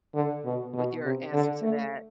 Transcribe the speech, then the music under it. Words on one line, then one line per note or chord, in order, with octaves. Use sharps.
with your answers to that.
D3
B2
B2
C3
D3
A3